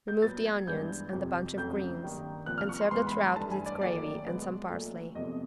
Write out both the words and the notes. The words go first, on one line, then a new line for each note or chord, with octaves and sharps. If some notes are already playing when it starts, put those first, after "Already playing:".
Remove the onions and the bunch of greens and serve the trout with its gravy and some parsley.
G6
A#2 F#3 B3 A6
G#6
G2 E3 G#3 B3 G6
F2 C3 F3
F2 C#3 F#3 A3 G6
G2 D#3 G3 A#3
C2 A#2 F3 A#3 F#6
F6
C#6
C6
G#2 E3 G#3 B3 C6
B5
B5
G2 E3 A3 A5
G#5
D5
D#2 D#3 F#3 A3 D5
B2 G#3 B3
A#2 F#3 A3
E2 C3 F3 A3 D#5